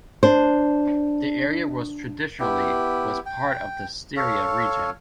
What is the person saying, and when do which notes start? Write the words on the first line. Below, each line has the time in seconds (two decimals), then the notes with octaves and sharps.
The area was traditionally was part of the Styria region.
0.23 D4 C5
2.40 B3 E4 G4
3.26 G5
4.17 A4 C#5 F5